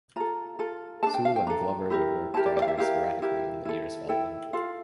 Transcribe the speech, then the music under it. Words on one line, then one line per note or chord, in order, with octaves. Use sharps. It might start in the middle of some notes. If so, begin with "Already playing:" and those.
Soule and Glover would work together sporadically in the years following.
F4 A4 A#5
F4 A4
A4 A5
D4
G5
F5
G5
D4 A4 A#5
E4 G4 A#4
E4 G4 A#4 A5
D5
D5
F5
E5
E4 G4 A#4 F5
E4 G4 A#4
E4 A4
E4 A4 G5
F4 A4 F5